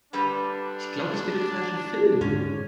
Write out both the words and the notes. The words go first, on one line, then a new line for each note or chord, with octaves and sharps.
Ich glaube, ich bin im falschen Film.
D3 G3 D4 B4
G#2 D3 C#4